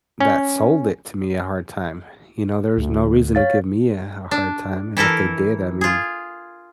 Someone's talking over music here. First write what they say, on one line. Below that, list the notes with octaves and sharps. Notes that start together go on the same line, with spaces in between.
that sold it to me a hard time. You know, there was no reason to give me a a hard time, and if they did, I mean
C#4
D2
C#5 F5 A6
D4
E3 E4 A4 A#4
F4 G#4